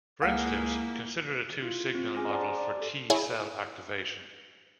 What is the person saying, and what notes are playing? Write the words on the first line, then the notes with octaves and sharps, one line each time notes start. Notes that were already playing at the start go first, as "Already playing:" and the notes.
For instance, consider the two signal model for T cell activation.
C#2 A#3 E4 G#4 F5 F#5
E4 F4
C4 F4
C#4 G#4 G#5 D6 F6 A#6
C5 D5 F#5 A5 A#5 C6
D5 D6
G4 A4
E4 G#4 C#5